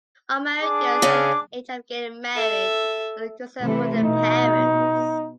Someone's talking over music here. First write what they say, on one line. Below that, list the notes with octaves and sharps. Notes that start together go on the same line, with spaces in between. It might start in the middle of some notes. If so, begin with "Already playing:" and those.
Unmarried girls at the age of getting married are a concern for the parents.
D4 G#4 D6
C#3 C#4
A4 E5
C3 E3 A3
B2 D#4